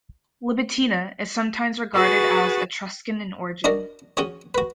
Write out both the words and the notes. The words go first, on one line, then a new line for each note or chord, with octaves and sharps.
Libitina is sometimes regarded as Etruscan in origin.
F#4 G#4 B4 C#6 A6
D4 D#4 F#4 A#4 D5
C#4 F#4 G#4 C#5
F#4 B4